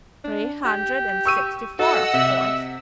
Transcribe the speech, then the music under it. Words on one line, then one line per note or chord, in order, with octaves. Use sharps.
'Three hundred and sixty-four, of course.'
D4
G4
C#6 E6 D#7
F#4 A4 D#5 F#5 E6
C3 E5